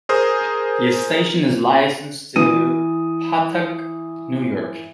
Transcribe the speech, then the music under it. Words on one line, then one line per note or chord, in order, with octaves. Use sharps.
The station is licensed to Patchogue, New York.
G#4 A#4 C5 D#6
E3 D#6 D#7